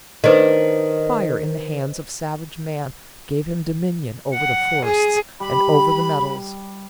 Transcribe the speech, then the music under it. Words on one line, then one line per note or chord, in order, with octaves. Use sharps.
Fire in the hands of savage man gave him dominion over the forests and over the metals.
D#3 D4 B4 C5 D#5
F#5
G#4
G3 B5